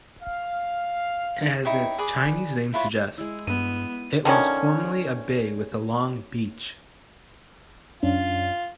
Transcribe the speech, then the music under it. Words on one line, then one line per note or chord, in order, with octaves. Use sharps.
As its Chinese name suggests, it was formerly a bay with a long beach.
F5
D#4 E4 C#5 G5
G#4 B4 D5 G#5
E4 F4 B4 C#5
G#3 E4
G2 B3 D#7
D3 D#3 F3 C#4
F#2 C#4 D4 F4